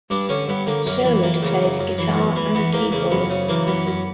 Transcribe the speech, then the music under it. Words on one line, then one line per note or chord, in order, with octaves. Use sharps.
Sherwood played guitar and keyboards.
G2 D4
D3 C#4
G2 B3
D3 A#3
F#2 A#3
E3
E3 A#3
C#3
F#2
F#2
E3
E2
E3
E2 B3
E2 A#3
C#3 A#3
F#2 B3
C#3
E3 A#3
F#2 B3
F#2